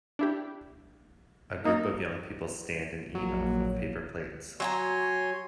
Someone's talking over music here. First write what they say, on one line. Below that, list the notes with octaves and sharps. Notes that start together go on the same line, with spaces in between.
A group of young people stand and eat off of paper plates.
D4 E4 G4
A#3 D#4
A#1 A#2 F#3 A#3
F#3 C#5 D#5 G#5 A#5 C6